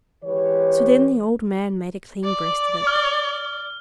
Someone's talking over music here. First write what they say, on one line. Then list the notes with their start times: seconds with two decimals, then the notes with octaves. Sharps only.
So then the old man made a clean breast of it.
0.24 E3 G#3 G4 B4 C#5
2.25 D5
2.87 F6